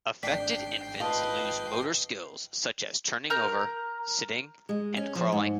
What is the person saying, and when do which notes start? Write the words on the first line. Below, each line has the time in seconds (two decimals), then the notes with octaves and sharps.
Affected infants lose motor skills such as turning over, sitting, and crawling.
0.23 G#1 D4 G5 B6 C7
1.00 F4 B4 D#5 F5 A5
3.30 A#4 A#5 G6
4.69 G#3
4.97 C#4
5.15 F3
5.33 G#2